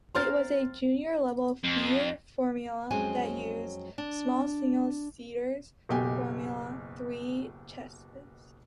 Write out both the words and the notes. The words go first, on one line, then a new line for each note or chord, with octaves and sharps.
It was a junior-level feeder formula that used small single seater Formula Three chassis.
C4 A#4 F5 C6 F6 A6
F2
F2 F#3 G#3 C4 C#4 G#5
D4
F#1 B1 B2 G4 G5 G#5